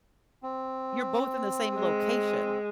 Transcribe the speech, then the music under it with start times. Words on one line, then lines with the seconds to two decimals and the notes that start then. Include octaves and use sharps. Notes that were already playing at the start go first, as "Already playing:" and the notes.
You're both in the same location.
0.43 C4
1.75 G#3